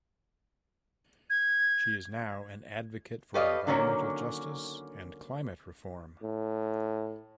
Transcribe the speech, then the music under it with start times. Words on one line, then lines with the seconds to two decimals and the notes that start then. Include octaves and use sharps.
She is now an advocate for environmental justice and climate reform.
1.30 G#6
3.34 G4 A4 B4 C#5 D#5 F5
3.67 D3 D#3 F#3 A#3 C#4 C#5
6.23 A2